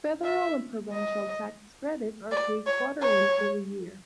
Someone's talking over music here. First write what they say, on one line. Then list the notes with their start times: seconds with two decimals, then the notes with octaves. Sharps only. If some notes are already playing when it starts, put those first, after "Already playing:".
Federal and provincial tax credits are paid quarterly through the year.
0.24 E5
0.92 D#5
2.31 D5
2.66 C#5
3.01 C#5